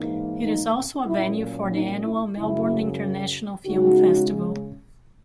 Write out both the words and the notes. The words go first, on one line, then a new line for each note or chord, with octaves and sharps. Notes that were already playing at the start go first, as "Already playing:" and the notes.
It is also a venue for the annual Melbourne International Film Festival.
Already playing: G#2 E3 A#3 D#4
D#4
A#2 F#3 A#3 C#4 E4
D#4
E4
F#2 C#3 F#3 E4
C#3 G#3 C#4 D#4 F#4